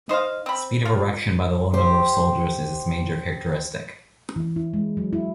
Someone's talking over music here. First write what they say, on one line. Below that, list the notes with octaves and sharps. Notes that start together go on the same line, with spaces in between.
Speed of erection by the low number of soldiers is its major characteristic.
D#4 C5 D#5 F5
C4 B5
F4
G4 C5
E3
E4
G#3
F#3
E4